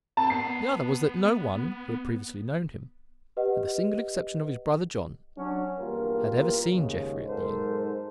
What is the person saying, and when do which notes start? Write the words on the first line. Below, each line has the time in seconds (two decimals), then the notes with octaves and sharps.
The other was that no one who had previously known him, with the single exception of his brother John, had ever seen Jeffrey at the inn.
0.17 C4 A5
0.30 B3 C7
3.37 G4 B4 D#5 F#5
5.38 F#3 C#4 D4
5.79 E2 G2 A#3 F4 A#4
6.72 D#2 G#2 C#3
7.28 B1 G#2 D#4 A4 A#4 C5